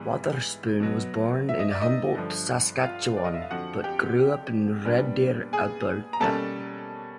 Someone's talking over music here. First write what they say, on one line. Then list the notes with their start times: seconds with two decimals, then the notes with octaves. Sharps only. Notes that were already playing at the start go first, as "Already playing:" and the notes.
Wotherspoon was born in Humboldt, Saskatchewan, but grew up in Red Deer, Alberta.
Already playing: G#2 E3 G3 B3
0.80 B2 F#3 B3
1.49 E5
1.59 D#5
1.71 D5
1.81 D#4 D#5
2.15 G2 D3 F3
2.83 F4 F5
3.17 D5
3.25 D#5
3.34 E5
3.42 F5
3.50 F2 D3 F3 F#4 F#5
3.84 G4 G5
4.85 A#2 G3 B3 D4
5.53 G#4 G#5
6.13 A#5
6.20 B2 G3 A#3 C#4 A4 A5